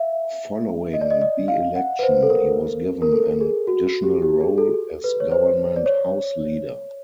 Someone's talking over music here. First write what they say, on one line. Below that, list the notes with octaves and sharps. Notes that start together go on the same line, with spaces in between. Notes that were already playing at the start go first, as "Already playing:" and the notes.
Following the election, he was given an additional role as Government House Leader.
Already playing: E5 F5
D#5
D5
D#5
D#5
F5
F#5
B4
C5
A4
A#4
A#4
A4
G#4
F#4
G4
G4
G#4
A4
B4
C#5
C5
D5
C#5